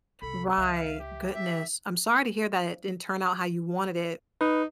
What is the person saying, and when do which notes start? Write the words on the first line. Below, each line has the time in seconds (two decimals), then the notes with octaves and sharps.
Right, goodness, I'm sorry to hear that it didn't turn out how you wanted it.
0.22 C2 A4 B5
0.57 C#2 E5 F5
1.00 G4
1.34 E5
4.41 D#4 B4